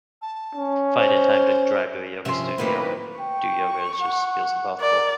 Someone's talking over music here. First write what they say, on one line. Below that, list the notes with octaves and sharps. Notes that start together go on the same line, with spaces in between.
finding time to drive to a yoga studio and do yoga, is just feels impossible.
A5
C#4
C5
G2 C3 F3 C#4 E5 C6
A2 D#3 A#3 C4 B4
G5 C#6
F#5
A#4 D5